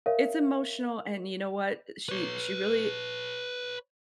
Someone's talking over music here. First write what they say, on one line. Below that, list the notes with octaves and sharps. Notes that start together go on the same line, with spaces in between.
It's emotional, and you know what? She she really
A#4 C#5 E5 F5
B4 C#5